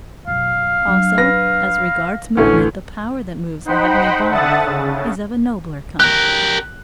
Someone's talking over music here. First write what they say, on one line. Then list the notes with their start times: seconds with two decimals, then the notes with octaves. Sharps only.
Also as regards movement the power that moves the heavenly bodies is of a nobler kind.
0.27 F#2 B2 F5
0.87 F#3 D4
1.18 B4 A#6
2.37 A1 D2 E3 A3 C#4
3.65 D#4 C5 F#5 G5 B5
4.30 D3 E5 F#5 A5 D#6 A6
4.65 C#3
6.00 G4 A#4 F#6